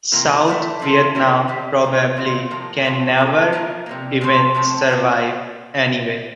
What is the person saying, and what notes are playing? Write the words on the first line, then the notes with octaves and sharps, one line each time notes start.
South Vietnam probably can never even survive anyway.
C3 E3 A#3 F4 A#4
D3 A3 E4 A#4 E5
F3 C4 E4 A4 C5
G3 A#3 E4 G4 A#4
G3 C4 G4
A#3 F4 C5
A#2 G3 C4 F4
A2 F3 A#3 F4 A#4
A2 F3 A3 C4 F4
C4 F4 A4
F3 A#3 F4 A#4
C3 G3 A#3
A#2 F3 A3 C4
C3 F3 A3 C4
C4 F4 A#4